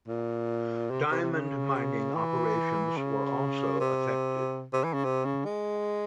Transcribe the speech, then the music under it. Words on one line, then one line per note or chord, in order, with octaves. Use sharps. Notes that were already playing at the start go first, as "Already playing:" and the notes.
Diamond mining operations were also affected.
A#2
C3
C3
C3
C#3
E3
C#3
C3
C3
E3
C#3
C3
C#3
G#3